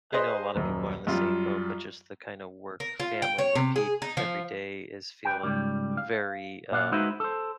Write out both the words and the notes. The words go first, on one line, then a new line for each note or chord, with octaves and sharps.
I know a lotta people are in the same boat, but just the kinda work, family, repeat, every day is feeling very, um,
G#4 B4 C5 D#5 C6 D#6
D#1 F#2
F#2 G3 F4
A#4
F4
G5
C#5
C3
G#4
D#4
F3
G3 B4 G5
C#2 G#2 G3
F5
A#2 D5 F5 F#5
G#3 D#4 F#4 B4 C5 E5
A4 C5